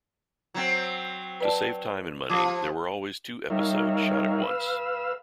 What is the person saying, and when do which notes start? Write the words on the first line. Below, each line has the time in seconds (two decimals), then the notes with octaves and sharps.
To save time and money, there were always two episodes shot at once.
0.54 F#3 C4
1.41 B4 D5 A5
2.30 F3 G4 D6
3.50 G3 D#4 A#4 C#5 E5 F5
4.42 B4 F5 E6